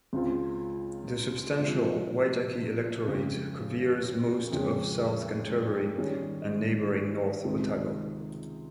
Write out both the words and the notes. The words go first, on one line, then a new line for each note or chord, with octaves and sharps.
The substantial Waitaki electorate coveres most of South Canterbury and neighbouring North Otago.
C#2 C#3 G#3 C4 F4
C3 F3 G#3
F2 C#3 G#3
F2 C#3 G#3 C#4 G#4
D#3 G3 C#4 G#4
C#2 C3 D#3 G#3 C4